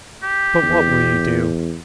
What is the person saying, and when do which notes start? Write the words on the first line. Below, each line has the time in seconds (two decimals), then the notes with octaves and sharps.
"But what will you do?"
0.23 G4
0.63 E2